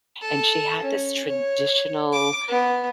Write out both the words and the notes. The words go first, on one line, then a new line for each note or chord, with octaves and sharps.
and she had this traditional,
A4
C#4
C#5
D6
B3